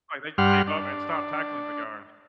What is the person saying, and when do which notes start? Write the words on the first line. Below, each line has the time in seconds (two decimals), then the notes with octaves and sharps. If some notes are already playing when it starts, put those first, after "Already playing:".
Like, they just gave up and stopped tackling the guy.
0.38 G2 G3 F#5 C6 F6
0.67 D4